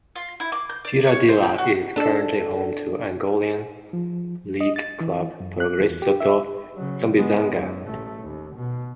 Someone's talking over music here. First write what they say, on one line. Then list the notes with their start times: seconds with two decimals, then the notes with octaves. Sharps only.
Cidadela is currently home to Angolan league club Progresso do Sambizanga.
0.16 F4
0.40 E4
0.52 D6
0.70 G6
0.85 D5
1.07 C#5
1.29 C5
1.43 G5
1.58 F#4
1.96 D4 A4
3.93 F3
4.61 D#5
4.76 A6
5.00 E3
5.40 F#2
5.60 F#6
5.80 E2
6.02 G4
6.20 E5
6.75 C#3 F#3
7.16 G#3 B3
7.53 F#2
7.86 A1 A3
8.23 D#2
8.55 B2